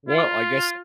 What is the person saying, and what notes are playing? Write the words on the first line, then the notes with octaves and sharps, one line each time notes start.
Well, I guess
F4